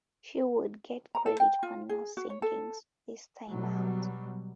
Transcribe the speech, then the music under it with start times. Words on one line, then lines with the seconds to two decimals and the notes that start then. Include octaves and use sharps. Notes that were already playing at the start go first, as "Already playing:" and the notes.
She would get credit for no sinkings this time out.
1.15 A#5
1.26 A4
1.40 G5
1.63 F4
1.89 G#4
2.17 F#4
2.30 C#5
2.42 A4
3.48 B2 F#3 G3